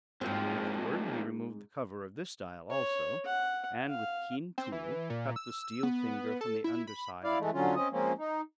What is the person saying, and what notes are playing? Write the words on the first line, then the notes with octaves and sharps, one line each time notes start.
Afterward he removed the cover of this dial also, and with keen tool cut the steel finger from the under side of the pointer.
D#2 G#2 F3 C4
C#5
F#5
F5
C4
E3
A#2
E6
B3
A4
E4
B5
E4 D5 F5
E3 G#3 A3
D3 F#3 C#4 F4
C4 C#4 D#5
F3 G#3 A#3 C4 C#4
D#4